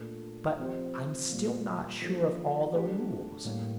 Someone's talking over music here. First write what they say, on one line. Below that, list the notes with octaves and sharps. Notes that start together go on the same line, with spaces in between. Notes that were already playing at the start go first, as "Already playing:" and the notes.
But I'm still not sure of all the rules.
Already playing: A#2 A3 D4
F3 C4 G4 C5
A#2 G3 A#3
F3 A#3 D4 A4
A3 D4 G4
A2 G3 A#3